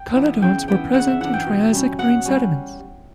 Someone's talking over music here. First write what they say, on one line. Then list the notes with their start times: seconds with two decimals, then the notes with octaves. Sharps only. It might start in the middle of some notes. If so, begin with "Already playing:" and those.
Conodonts were present in Triassic marine sediments.
Already playing: G5
0.16 E3 B3 D4
0.42 C#3 G5
0.68 E3 B3 D4 G5
0.94 C#3 F#5
1.07 E5
1.21 E3 B3 D4 F#5
1.34 G5
1.46 B2
1.73 G3 C#4
1.99 B2 F#5
2.26 G3 C#4